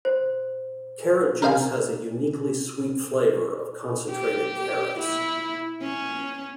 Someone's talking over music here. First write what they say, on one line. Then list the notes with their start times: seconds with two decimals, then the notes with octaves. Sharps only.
Carrot juice has a uniquely sweet flavour of concentrated carrots.
0.05 C5
1.42 A#4 C5 D#5 F5 G#5
4.11 G4
5.00 E4
5.82 C#4